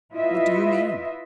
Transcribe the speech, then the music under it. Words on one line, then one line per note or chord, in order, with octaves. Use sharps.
"What do you mean?"
E4 F4 B4 D#5 E5